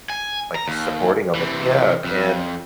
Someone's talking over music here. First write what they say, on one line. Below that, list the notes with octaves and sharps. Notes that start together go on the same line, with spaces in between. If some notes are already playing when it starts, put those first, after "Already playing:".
like, just supporting him and yeah. And
G#5
A#5
D#2
C3 E3
F2